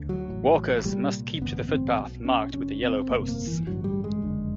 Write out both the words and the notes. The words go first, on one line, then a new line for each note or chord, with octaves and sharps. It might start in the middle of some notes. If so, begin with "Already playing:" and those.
Walkers must keep to the footpath marked with the yellow posts.
Already playing: D2 D3
F#3
A1 A2
C2 A#2 G3
A1 G2 D3 B3
C4
B1 B2
C#4
F#1 F#2 C#3 C#4
C4
G1 F2 C3 A#3
A#3
E3
A1 G2 D3 F#3
G3
G#3
F#1 F2 D3